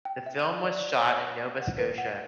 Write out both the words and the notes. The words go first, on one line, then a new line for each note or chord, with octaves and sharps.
The film was shot in Nova Scotia.
G5
E5
D#7
D5
C#5
F#5
B4
F#5